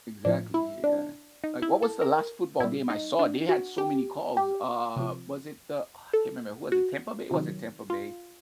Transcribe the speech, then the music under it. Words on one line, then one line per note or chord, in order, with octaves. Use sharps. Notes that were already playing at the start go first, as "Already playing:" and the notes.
Exactly, y y yeah, like, what was the last football game I saw? They had so many calls uh, was it the, ah, I can't remember. Who was it? Tampa Bay? It wasn't Tampa Bay.
A2 F3 D4
E4
D4
D#4
E4
A4
A#4
A#2 G3 E4
D#4
D4
F#4
G4
G4
C3 F3
A4
F#4
C3 D#3 F#3
F4